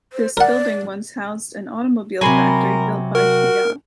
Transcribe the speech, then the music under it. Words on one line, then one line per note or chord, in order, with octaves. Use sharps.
This building once housed an automobile factory built by Fiat.
C5
A#4 D5 F#5
C3 F#3 A#4 G#5 B5 C6
F#4 A#4